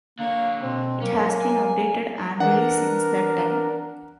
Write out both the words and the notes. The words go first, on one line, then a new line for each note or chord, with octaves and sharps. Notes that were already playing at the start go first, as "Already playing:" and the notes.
It has been updated annually since that time.
D3 A#3 C#5
B2 C4
F#3 A#3 C#4
G#5
E3 D4 A#4 F#5